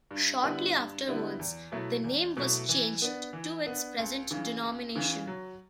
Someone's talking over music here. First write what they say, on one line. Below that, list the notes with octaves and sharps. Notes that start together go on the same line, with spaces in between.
Shortly afterwards, the name was changed to its present denomination.
G2
D3 G3 B3 E4
G2
D3 G3 B3 E4
E2
B2 F#3 A3 E4
E2
B2 F#3 A3 E4
E3
B3 D4
E3
B3 D4
C#2
C#3 E3
C#2
C#3 E3
F#3